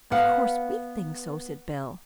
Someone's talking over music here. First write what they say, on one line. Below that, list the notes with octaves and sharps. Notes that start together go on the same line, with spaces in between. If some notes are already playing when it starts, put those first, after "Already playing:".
"Of course we think so," said Bell.
B3 B4 F5 F#5